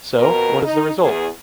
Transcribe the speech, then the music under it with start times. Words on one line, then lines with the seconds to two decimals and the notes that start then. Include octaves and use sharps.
So, what is the result?
0.19 F2 B2 A#4
0.63 D#4
1.00 E2 G#4